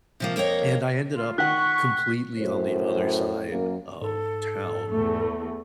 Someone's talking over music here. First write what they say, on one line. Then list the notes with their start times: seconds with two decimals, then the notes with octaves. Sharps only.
And I ended up completely on the other side of town,
0.20 C3 F3 A#3
0.36 F2 A#3 A#4 C#5 D#5
1.14 F4
1.38 D#3 F#5 C#6 F#6 B6
2.39 F#2 A2 C5
3.50 F#2 A#3
4.02 G#2 A4
4.92 E2 A3